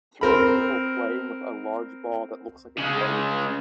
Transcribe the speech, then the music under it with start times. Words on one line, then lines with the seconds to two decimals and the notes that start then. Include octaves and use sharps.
Three people playing with a large ball that looks like a globe.
0.21 C4 A#4 B5
2.78 C#3 G#3